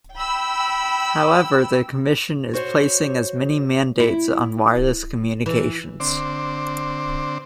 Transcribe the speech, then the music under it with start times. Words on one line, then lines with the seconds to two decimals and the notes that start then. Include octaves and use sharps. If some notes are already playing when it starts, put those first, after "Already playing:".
However the commission is placing as many mandates on wireless communications.
0.16 G5 B5 E6
2.53 F#4 C5 C#5
4.00 E4
5.46 E3
6.00 D3 C4 C5 D6